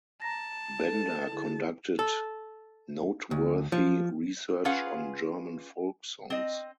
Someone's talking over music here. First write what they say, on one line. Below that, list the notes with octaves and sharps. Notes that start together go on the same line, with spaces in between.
Bender conducted noteworthy research on German folk songs.
A5 A#5 A#6
A4
D3 E4 G#4
A4
D2
F3
C#4 F4 G#4 B4 F5 F#5
C4 D#5